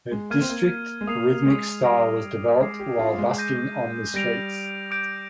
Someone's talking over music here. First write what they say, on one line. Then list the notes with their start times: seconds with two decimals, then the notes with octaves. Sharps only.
Her district rhythmic style was developed while busking on the streets.
0.11 G#3
0.30 A#3 F6 G#6 D#7
0.41 C4
0.49 A#3
1.01 G#3
1.07 A#3 D#6 G#6 C7 F7
1.45 G#3
1.84 G3 D6 F6 A#6 D7
2.60 G#3 D6 G#6 C7
2.80 G4
2.99 F4
3.18 G#3
3.38 G6 A#6 D#7
4.14 G3 G6 A#6 D7 F7
4.91 D6 G6 D7